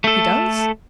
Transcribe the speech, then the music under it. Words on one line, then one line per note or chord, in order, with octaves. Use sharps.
"He does?"
A3 A4